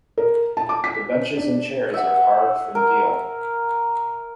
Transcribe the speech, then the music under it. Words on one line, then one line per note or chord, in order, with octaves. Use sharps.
The benches and chairs are carved from deal.
A#4
A5
D6
B6
D4
E5 F#5
A#4